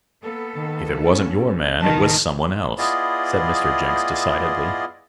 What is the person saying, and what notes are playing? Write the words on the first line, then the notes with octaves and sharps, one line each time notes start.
"If it wasn't your man, it was some one else," said Mr. Jenks, decidedly.
A#3 B3 A4
D#3
C#4
C#2 A#2 D#3 A5
B3 E4 F4 G#4 D5 D#5